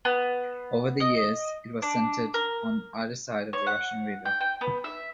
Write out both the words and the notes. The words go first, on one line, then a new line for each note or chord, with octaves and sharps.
Over the years it was centered on either side of the Russian River.
B3
D#5
D4
A#4
C#5
F#5
G5
G5
B3
E5